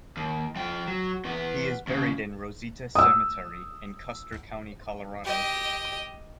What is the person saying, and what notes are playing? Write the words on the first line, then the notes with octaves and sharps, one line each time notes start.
He is buried in Rosita Cemetery in Custer County, Colorado.
D#2
F3 G5
F#3
E2 B3
D#2 C#3
D#6 E6
G4 D#5